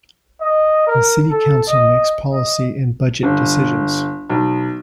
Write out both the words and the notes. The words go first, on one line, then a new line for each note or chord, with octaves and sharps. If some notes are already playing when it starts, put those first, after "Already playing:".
The City Council makes policy and budget decisions.
D#5
A#4
A4
D#5
D#5
G1
B1